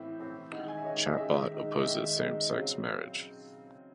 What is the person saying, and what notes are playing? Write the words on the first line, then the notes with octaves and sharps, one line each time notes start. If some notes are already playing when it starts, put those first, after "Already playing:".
Chabot opposes same-sex marriage.
Already playing: A2 E3 C4 E5
A2 E3 C4
D#3 G#3 D#4 F#5
G#5
E5
C#5
D#3 G#3 D#4 D#5
D#5
D#3 G#3 D#4 E5
D#3 G#3 D#4
D#5
D#3 G#3 D#4 E5
D#3 G#3 D#4
C#3 F#3 C4